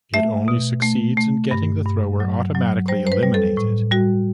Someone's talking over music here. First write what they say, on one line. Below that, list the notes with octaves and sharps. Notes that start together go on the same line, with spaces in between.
It only succeeds in getting the thrower automatically eliminated.
A3 E5
B2
A3
A3
G2
G2
F#3
F#3
G3 C5
C5
B4
G3
A4
A2
G3 F#4